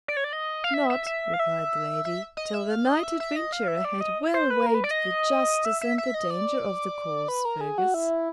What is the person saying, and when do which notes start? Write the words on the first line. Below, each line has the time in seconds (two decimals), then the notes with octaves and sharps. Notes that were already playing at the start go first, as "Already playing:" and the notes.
'Not,' replied the lady, 'till the knight adventurer had well weighed the justice and the danger of the cause, Fergus.
0.08 D5
0.17 C#5
0.24 D5
0.33 D#5
0.64 F5
0.74 E5
0.90 E5
1.06 E5
1.34 F5
1.39 E5
2.05 E5
2.37 D#5
2.54 E5
2.70 F5
2.87 D#5
3.04 E5
3.20 E5
3.36 D#5
3.52 F5
3.68 E5
3.85 D5
4.01 D#5
4.34 C5
4.50 B4
4.66 A#4
4.74 B4
4.84 D5
4.91 D#5
5.65 E5
5.81 E5
5.98 E5
6.14 D#5
6.30 D5
7.28 B4
7.45 A#4
7.61 G#4
7.78 F#4
7.94 E4